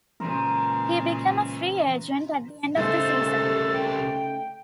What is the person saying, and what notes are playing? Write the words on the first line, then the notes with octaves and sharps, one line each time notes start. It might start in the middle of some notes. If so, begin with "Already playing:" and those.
He became a free agent at the end of the season.
A#2 C#3 E3 G#3 A#4 C5
C2 C#3 A3 D#4 A4 C5 A6
G5